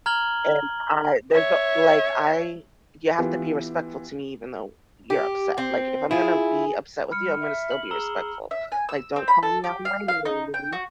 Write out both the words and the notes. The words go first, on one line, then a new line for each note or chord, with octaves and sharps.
And I there's a like I you have to be respectful to me even though you're upset. Like, if I'm gonna be upset with you, I'm gonna still be respectful. Like, "Don't call me out on my name.
A#5 F6 G#6 F#7 G7
C#5 E5
E3 B3 F4 G4
G4
C4
E4 F4 G#4
G3 B5 F6 C#7
E5
F#7
G#4 A#5 E6 G7
E5
G#5
E6
C4
B5
A4
G4
F5
F5
D#4
G5
F#4